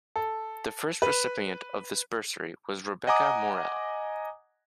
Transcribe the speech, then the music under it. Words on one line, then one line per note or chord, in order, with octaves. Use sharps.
The first recipient of this bursary was Rebecca Morelle.
A4
B4
D#5 F#5 G#5 A#5 D6 D#6